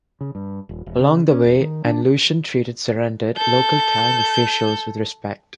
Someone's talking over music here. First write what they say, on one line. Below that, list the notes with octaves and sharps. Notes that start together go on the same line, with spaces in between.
Along the way, An Lushan treated surrendered local Tang officials with respect.
C#3
G2
D#1
E1
C#3
C#4
E1
D#3
D4
A4 G6